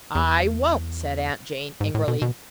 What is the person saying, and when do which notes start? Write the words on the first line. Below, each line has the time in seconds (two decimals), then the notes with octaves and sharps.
"I won't," said Aunt Jane, angrily.
0.15 E2
1.81 G#2
1.95 A2
2.08 B2
2.22 B2